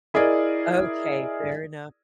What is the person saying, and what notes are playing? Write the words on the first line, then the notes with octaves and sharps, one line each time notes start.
Okay, fair enough.
E4 G#4 A#4 D5 D#5